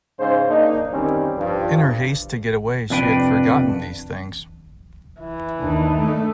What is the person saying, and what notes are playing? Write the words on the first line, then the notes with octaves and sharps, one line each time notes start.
In her haste to get away she had forgotten these things.
G#2 C#3 C5
A#3 D4 D#4
D#3 G3 C4 C#4
G2 F3
F2 C3 D4 B4 G5
E3
D#2 D4 D#4
A3